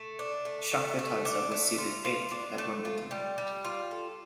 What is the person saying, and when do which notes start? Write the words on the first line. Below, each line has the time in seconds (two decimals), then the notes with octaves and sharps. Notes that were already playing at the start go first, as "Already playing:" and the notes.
Chakvetadze was seeded eighth at Wimbledon.
Already playing: A3
0.19 D4
0.45 A3
0.72 A3
0.99 A3
1.25 D4
1.52 A3
1.78 F4
2.05 F4
2.31 D4
2.58 A3
2.85 F4
3.11 G3
3.38 G3
3.65 F4
3.91 A4